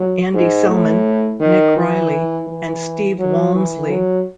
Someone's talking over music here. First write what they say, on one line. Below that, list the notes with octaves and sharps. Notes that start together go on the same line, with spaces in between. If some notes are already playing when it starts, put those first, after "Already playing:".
Andy Selman, Nick Riley and Steve Walmsley.
Already playing: F#3
G#2
A2
D#3
E3
E3
F#3
E3
F#3